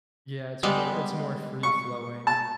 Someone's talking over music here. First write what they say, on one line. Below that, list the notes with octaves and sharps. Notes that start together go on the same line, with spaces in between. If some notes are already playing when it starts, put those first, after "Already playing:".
Yeah, it's more it's more free-flowing,
G3 G#3 B3
C#6
A5